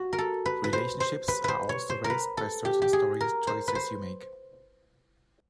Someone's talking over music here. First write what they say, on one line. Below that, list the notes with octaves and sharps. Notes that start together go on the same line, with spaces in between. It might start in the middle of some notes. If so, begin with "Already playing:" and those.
Relationships are also raised by certain story choices you make.
Already playing: F#4
A#4
A4
B4
B4
C5
C5
B4
B4 C5
C#5
C5
A#4
B4
A4
G4
G4
G#4
A#4
C5
B4
C5